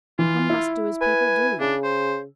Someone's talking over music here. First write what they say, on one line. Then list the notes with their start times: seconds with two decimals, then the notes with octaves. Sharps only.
One must do as people do.
0.19 E3 F4
0.50 E4
1.01 B4 G#5
1.60 C#3 D4
1.84 C5